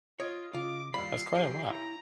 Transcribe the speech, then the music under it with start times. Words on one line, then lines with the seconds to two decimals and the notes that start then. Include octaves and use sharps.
That's quite a lot.
0.20 F4 C#5 D#5 D7
0.54 C#3 F4 D6
0.94 D#2 G3 F4 B5 C7
1.35 B1 F3 G4
1.70 E4 A#5